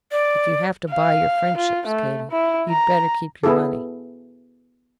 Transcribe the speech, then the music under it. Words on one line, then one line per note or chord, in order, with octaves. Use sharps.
"If you have to buy your friendships, Katie, you'd better keep your money."
D5
F5
F4
A3
E4
A#5
B3 E4 G#4 A4